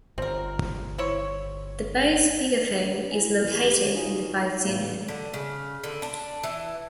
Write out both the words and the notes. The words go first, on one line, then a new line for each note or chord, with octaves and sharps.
The base speakerphone is located in the base unit.
G1 C4 A#4
C4 E4 C#5
E4 G#5
E3 B3
B1 G4
D#4 F4 F#4 G#5
A2 E3 B3 F5
D3
C#3
D3
D4
E3